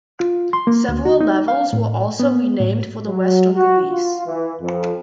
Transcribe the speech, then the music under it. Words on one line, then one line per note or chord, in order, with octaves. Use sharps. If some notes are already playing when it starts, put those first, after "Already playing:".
Several levels were also renamed for the Western release.
F4
C6
A#3
D2
F#4
D#4
F5
A2
B3
A2
F#3
F#4
F4
E3
F2